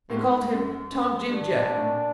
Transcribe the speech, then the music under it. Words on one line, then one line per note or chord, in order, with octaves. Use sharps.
They called him Tom-Jim-Jack.
A2
G#2
F#2
F#2
G2 D4
A#2
A2
A#2